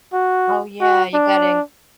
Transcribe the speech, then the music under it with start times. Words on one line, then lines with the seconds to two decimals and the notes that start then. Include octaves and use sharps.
Oh yeah, you got to
0.13 F#4
0.81 F#4
1.14 D4